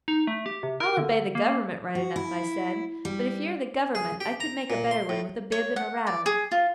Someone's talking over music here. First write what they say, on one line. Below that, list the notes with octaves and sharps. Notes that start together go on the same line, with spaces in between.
'I'll obey the Government right enough,' I said; 'but if you're the Government I could make a better one with a bib and a rattle.'
D#4
A3
G4
C3
A#4
D3
A#3
F#4
E4
G3
G#4
G4
A#5
A#2
C6
A2
C#5
F#5
D5
G#4
F4